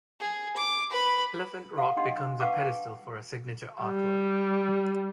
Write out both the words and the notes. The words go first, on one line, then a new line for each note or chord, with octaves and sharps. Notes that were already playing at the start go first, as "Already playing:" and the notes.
Elephant rock becomes a pedestal for a signature artwork.
G#4
D6
B4 B5
G4 A4 F5 F#5
D4 G4 D#5 F#5 C6
B4 F5 F#5 A5 C#6 D6
G5
G3